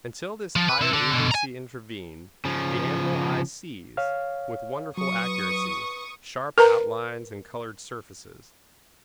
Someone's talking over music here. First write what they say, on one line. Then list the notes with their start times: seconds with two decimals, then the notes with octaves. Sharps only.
Until this higher agency intervened, the animal eye sees, with wonderful accuracy, sharp outlines and colored surfaces.
0.56 F3
0.69 B4
0.81 C4 E5
0.93 D3
1.12 B2 D3
1.31 G#5 A#5
2.45 C#3 F3
3.97 C#5 F5 F6
4.97 F#3 B4 C#6 D#6
6.58 A#4 B4 A#5